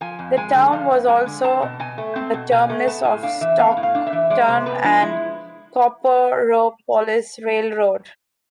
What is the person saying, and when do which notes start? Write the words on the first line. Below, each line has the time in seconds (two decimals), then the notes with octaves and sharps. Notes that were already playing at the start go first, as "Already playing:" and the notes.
The town was also the terminus of the Stockton and Copperopolis Railroad.
0.01 F3 G#5
0.19 F2
0.37 G#3 G#5
0.55 D3
0.72 F3 F5
0.91 F2
1.08 G#3 G#5
1.26 D3
1.44 C4 A5
1.62 B2
1.80 B2 G#5
1.98 A3
2.16 C4 A5
2.34 B2
2.51 B2 G#5
2.70 A3
2.87 B3 A5
3.05 A2 G#5
3.23 D4 F5
3.41 E3 E5
3.59 B3 F5
3.77 A2
3.83 F5
3.95 D4
4.07 E5
4.12 E3
4.30 G#3 D5
4.48 C3 C5
4.66 B3 B4
4.84 F3 D4
5.02 G#3 E4